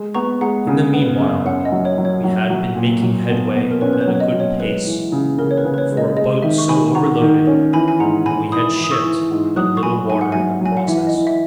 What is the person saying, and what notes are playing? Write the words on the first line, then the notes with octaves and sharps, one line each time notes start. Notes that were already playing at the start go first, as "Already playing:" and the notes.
In the meanwhile we had been making headway at a good pace for a boat so overloaded, and we had shipped but little water in the process.
Already playing: G#3
B3 A#5 C#6
G#3 F#5 A#5
C#3
B3
F#2
C#4 F#5
D#5
F#3
C#5
F#3
C#5
F#3
F#3
A#2
F#3
B2
B2
A#4
C#4 B4
B4
C#5
F#3
C#5
D#5
F#3
C#5
G#3 B4
E3
C#3
C#3 A#4
C#5
B4
C#3
B4
C#5
G#3
D#5
G#3 D#5
D#3 E5
C#6
D#3 G#5 B5
F#4 A#5 C#6
D#3
C#4
E3 G#5 B5
G#5
G#2 F#5 A#5
G#2 G#5 B5
E3 B5 D#6
E3
D#6
C#6 E6
E3
G#2
F#3 D#6 F#6
C#6
F#3 G#5 B5
G#2 G#5
F#5
F#3 E5 G#5
F#3 G#5
F#5
E3 E5
D#5
E3
E5